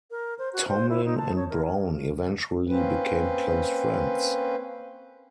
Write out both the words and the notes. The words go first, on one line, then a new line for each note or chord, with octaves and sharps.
Tomlin and Brown eventually became close friends.
A#4
C5
F#4
C5
E4
D#4
A5
C#5
A#4
A#3 C4 C#4 B4